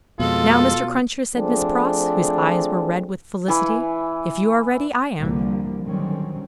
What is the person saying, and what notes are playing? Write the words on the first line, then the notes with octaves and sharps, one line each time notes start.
"Now, Mr. Cruncher," said Miss Pross, whose eyes were red with felicity; "if you are ready, I am."
F2 B2 G#3 F4 A4
F3 A3 C4 D4 G#4
E3 G#5
C2 D3 E3 F3 G3 A#3
D3 D#3 F#3 G3 C4 C#4